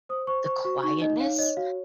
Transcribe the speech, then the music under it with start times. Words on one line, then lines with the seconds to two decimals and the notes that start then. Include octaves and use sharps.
the quietness
0.09 C5 D#6
0.27 C5 C#6
0.46 C5 C#6
0.65 F#4 C#6
0.83 D#4 C#6
1.02 D#4 D#5
1.20 C#5 F5
1.38 C#5 D#5
1.57 F#4 F5